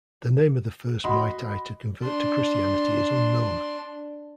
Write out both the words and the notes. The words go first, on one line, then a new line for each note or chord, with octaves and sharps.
The name of the first Meitei to convert to Christianity is unknown.
F#4 D#5 B5 C6
D4 C6